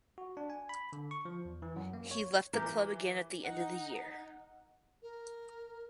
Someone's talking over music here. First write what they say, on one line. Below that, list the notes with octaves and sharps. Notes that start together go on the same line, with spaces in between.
He left the club again at the end of the year.
F#4
D4
G#5
B5
D3
C#6
F3
E2
E3
F#2
A#3
C#5
E3 G4 A#4
D#4 F#5
A#4